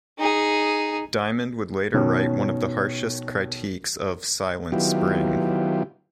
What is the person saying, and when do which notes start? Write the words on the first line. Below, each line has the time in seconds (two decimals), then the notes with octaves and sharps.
Diamond would later write one of the harshest critiques of "Silent Spring".
0.19 D#4 G#4
1.94 B2 D#3 C#4
4.72 D#3 F#3 B3 E4 F4 G4